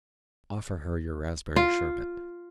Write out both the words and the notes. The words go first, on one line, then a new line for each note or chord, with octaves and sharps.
Offer her your raspberry sherbet.
F4